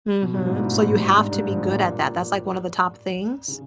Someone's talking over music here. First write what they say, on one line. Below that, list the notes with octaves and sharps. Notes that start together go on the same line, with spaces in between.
Mhm. So, you have to be good at that, that's like one of the top things.
B2
G2
G#2
A2
A2
G#2
G2
G#2
G#2
G2
G#2
A#2
A#2
C#3